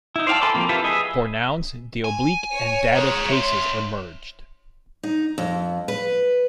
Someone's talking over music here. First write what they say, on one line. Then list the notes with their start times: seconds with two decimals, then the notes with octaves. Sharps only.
For nouns the oblique and dative cases are merged.
0.16 D#4 E4
0.27 C5 D5 F5 G5 A5
0.42 A4 G#5 B5 C6 D6
0.54 F3 A#3 C4
0.69 E4 F4 G4 A4 B4
0.84 G#4 B4 D#5 E5
2.04 G#5
2.53 C#5
2.95 A#2 G#3
3.29 E4 C5
5.03 D#4
5.38 F2
5.88 B4